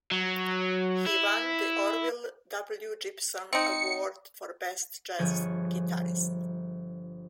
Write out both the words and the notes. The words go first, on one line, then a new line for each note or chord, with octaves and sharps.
He won the Orville W. Gibson Award for Best Jazz Guitarist.
F#3
E4
C4 D#4 C#7
G1 F3 G#4 C#5